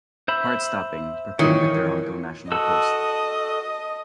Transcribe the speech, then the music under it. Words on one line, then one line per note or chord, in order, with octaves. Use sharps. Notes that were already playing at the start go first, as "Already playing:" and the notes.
"Heartstopping," proclaimed the "Toronto National Post".
C5 E5 B5
A#2 D#3 E3 C#5
F#4 A4 D#5 E6